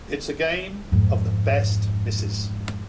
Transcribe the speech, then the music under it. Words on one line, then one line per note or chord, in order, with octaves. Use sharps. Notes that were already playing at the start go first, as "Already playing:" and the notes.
It's a game of the best misses.
F2 G#2